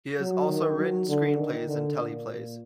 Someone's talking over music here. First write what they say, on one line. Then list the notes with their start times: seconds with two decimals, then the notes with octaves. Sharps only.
He has also written screenplays and teleplays.
0.20 F#3
0.49 D#3
0.79 F#3
1.08 D3
1.37 D#3
1.67 D3
1.97 A#2